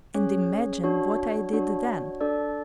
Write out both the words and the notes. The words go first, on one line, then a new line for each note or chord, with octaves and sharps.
And imagine what I did then!
C#4 G#4 C#5
D4 F#4 C#5
D4 F#4 C#5
D4 A4 D5